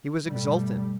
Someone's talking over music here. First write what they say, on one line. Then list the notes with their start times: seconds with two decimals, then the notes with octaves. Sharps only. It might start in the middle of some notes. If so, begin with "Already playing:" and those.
He was exultant.
0.24 G2 B2 G3 A3